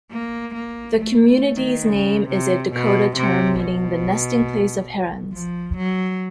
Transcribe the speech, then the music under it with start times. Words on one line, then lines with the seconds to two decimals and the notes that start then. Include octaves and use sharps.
The community's name is a Dakota term meaning the nesting place of herons.
0.12 A#3
0.54 A#3
0.98 A3
1.28 A3
1.56 D#3
1.85 C#3
2.29 C3
2.72 B2
3.16 C3
3.59 B2
5.33 F3
5.77 F#3